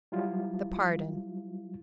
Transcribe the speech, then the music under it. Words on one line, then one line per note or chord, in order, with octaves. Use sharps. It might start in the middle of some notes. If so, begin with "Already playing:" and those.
The Pardon.
F#3 G3 E4 F4